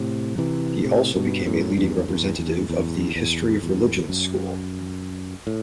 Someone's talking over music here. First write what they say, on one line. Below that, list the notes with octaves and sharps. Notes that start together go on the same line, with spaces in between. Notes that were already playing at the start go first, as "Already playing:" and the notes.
He also became a leading representative of the history of religions school.
Already playing: A2 C3
C3 E3
A2 C3
G2 B2
F#2 A2
E2 G2
E2
E2
E2
E2
E2
E2
F#2
A2